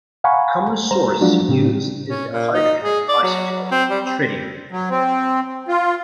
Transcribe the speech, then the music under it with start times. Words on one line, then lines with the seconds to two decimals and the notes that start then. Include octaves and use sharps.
A common source used is the hydrogen isotope, tritium.
0.24 F5 F#5 G#5 A#5 B5 C#6
0.91 G3 C5 A#5
1.21 F3 F#3 G#3 D4 F4 F#4
1.48 A2 C#3 C4 G4
2.09 C#4
2.30 A#2
2.54 D#4
2.84 G#4
3.09 D5
3.24 F#3
3.52 F#3
3.71 C4
3.90 G3
4.05 C4
4.71 F#3
4.90 C4
5.68 F4